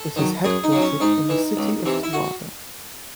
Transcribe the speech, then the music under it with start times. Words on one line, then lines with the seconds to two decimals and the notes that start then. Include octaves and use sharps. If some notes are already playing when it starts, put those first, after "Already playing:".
It is headquartered in the city of Towada.
Already playing: A4
0.16 D#3 F#3
0.44 F#2 G#4
0.64 D#4
0.72 C#3 F#3
0.82 C#4
1.00 G#2 D#4
1.29 E3
1.57 C#2
1.86 C3 E3
2.03 E4
2.13 F#4